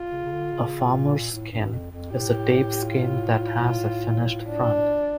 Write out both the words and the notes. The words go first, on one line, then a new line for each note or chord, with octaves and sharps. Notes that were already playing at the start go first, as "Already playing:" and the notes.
A "farmer's sink" is a deep sink that has a finished front.
Already playing: F4
C#3
C#3
D3
C#3
A#2
A2
G2
F2
F2
A2 G4
F4
D4